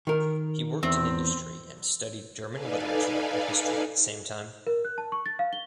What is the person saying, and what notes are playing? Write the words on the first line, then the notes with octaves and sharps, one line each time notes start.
He worked in industry and studied German literature and history at the same time.
D#3 A#4
E2 C4
D#4 A4 B4 D5 F5 G#5
A#4
F#6
A5
C#6
A6
F5
G7